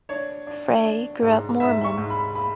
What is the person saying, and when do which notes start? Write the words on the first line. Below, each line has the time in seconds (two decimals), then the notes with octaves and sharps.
Frey grew up Mormon.
0.09 D4 C#5
0.47 D4
0.85 D4
1.22 G#2
1.60 G#2 E5
1.84 C#6
1.98 G#2
2.10 B5
2.35 B5